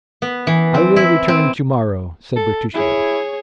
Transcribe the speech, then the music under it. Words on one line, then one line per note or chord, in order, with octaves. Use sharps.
"I will return to-morrow," said Bertuccio.
B3
E3
C4
E4
C4
A4
E4 G#4 C#5